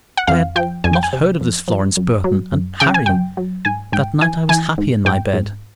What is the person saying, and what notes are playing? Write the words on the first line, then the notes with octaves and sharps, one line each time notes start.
But I had not heard of this Florence Burton; and, Harry, that night I was happy in my bed.
F#5
F2 F5
F3 G5
F2 G#5
G5
G#5
C3
F2
F3
F#2
F#3
F#2
C#3 G5
G#5
F#2 G5
F#3
G#2 G#5
G#2 G5
E3 G#5
E3 G#5
G#2
G#2 G5
G#2